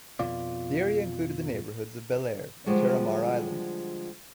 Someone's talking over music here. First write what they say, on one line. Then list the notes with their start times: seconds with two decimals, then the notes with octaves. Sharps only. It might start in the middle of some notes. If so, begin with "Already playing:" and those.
The area included the neighborhoods of Bel Air and Terra Mar Island.
0.19 F2 B2 F4 D5
2.66 D3 F3 G3 G#3 F#4